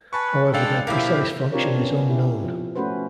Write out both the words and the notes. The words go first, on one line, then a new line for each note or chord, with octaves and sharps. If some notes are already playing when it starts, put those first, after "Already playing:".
However their precise function is unknown.
B4 G#5 A5 C#6
G#3 D4 A4 F5 G5
B2 F3 A#3 E4 G4 A#4 F5
C4 D4 F4 G4 A#4 C#5
B3 C#4
E4 G4
F3
A3 C#4 F#4 B4 C5